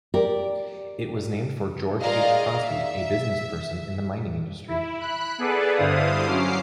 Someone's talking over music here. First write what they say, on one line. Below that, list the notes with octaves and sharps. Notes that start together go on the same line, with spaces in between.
It was named for George H. Crosby, a businessperson in the mining industry.
G4 A#4 D5
F4 G#4 A#4 D5 D#5 F5
E5
E4
B5 F#6
B3 G#4 A4 B4 D5
G2 D3 E4 C5 F5 D#6
F#3 C#4 D6 F6 C7